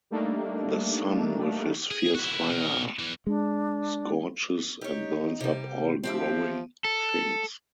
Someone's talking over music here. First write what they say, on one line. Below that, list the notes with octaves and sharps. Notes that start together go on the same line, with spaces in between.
The sun, with his fierce fire, scorches and burns up all growing things.
G3 A3 A#3 D4 D#4
G#4
E4 F#4
B2 A#4
E2 E3
G#3 D4
D#4 G4 C#5
C3 G3
F3 C4 G4 E5
A4